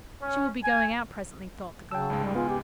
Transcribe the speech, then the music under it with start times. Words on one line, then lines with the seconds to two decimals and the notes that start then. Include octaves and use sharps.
"She will be going out presently," thought the girl.
0.21 C#4
0.62 G#5
1.91 C#3 G5 A5 E6
2.10 C#2 G#2 G#3
2.23 G3
2.35 B3 F4 G#5
2.49 G4